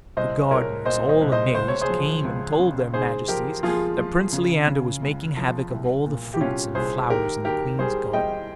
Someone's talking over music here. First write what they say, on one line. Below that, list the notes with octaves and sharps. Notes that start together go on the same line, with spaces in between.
The gardeners, all amazed, came and told their majesties that Prince Leander was making havoc of all the fruits and flowers in the queen's garden.
C2 C5 D#5
C2 A#4 C#5
A#2 C5 D#5
C5 D#5
C2
C5 D#5
C#2 C5
C#5
G#4 C5
F3
C#2
C#3
G#2 G#4 C5
F3 G4 A#4
F3 F4 G#4
F3
C#3
C#3
C#2
F3
C2
A#2
G4
C2 C#4 F4
C2 G#4 C5
D#3 G4 A#4
D#2 G4 A#4
G3 G#4 C5
G3 D#5 G5